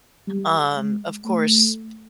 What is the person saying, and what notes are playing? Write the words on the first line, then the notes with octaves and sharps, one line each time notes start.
um, of course,
G3
G#3
A3